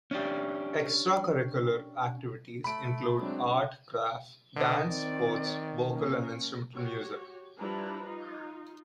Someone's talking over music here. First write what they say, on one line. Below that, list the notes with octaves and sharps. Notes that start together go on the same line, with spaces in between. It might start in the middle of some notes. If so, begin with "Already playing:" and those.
Extracurricular activities include art, craft, dance, sports, vocal and instrumental music.
C#4 D4 G4
A3 B5 D7
F#3 G#3 C4 D4
D3 B4 D#5
D#3 C4 D5
A#3 C#4
F#4 G4 C#5
F3 G3 D4 E4 B4 A#5
D#4 F4